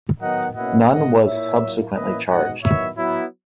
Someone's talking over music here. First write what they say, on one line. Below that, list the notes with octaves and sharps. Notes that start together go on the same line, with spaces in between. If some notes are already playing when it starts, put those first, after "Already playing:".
None was subsequently charged.
D#3 F#3 B3 D#4 D#5 F#5
B2 A#3 C#4 E4 D#5 F#5
B2 G#3 B3 D#5 F#5
A#2 A#3 E4 C#5 E5
A#2 F#3 A#3 E4
E3 A#3 C#4 E4 B4 D#5
B2 G#3 D#4 D#5 F#5
D#3 F#3 B3 E4 C#5 E5
F#3 B3 E4